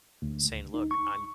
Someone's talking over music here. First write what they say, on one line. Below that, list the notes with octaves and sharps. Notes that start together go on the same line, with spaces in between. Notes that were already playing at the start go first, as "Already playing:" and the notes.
saying, "Look, I'm
D2
C#2
D#4
C#6